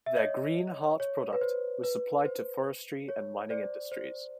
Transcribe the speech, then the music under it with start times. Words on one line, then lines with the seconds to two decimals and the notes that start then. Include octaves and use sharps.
Their Green Heart product was supplied to forestry and mining industries.
0.06 E5
0.17 C#5 D#5
1.00 C#5
1.33 B4
1.41 C5
1.84 B4
2.25 C5
3.09 C#5
3.50 C5 D5
3.92 C5